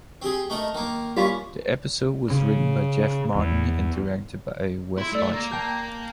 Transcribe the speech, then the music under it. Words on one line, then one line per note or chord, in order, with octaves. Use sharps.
The episode was written by Jeff Martin and directed by Wes Archer.
C4 G4 G#4
A3 D#4 A#4
D#3 A#3
G3 A#3 C#4 F4 B5
C#3
E2
E4 C6
A3 D5 E6
A#3 A#4
G5 A5 G6